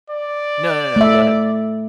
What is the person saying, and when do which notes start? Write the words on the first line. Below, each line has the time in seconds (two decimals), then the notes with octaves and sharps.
No, no, no, go ahead.
0.10 D5
0.96 A3 E5